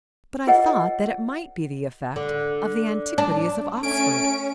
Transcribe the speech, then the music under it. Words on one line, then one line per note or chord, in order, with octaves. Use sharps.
But I thought that it might be the effect of the antiquities of Oxford.'
F4 G#4 A#4 C#5 D#5 F#5
D3
D4
A3 C#4 G#5 D7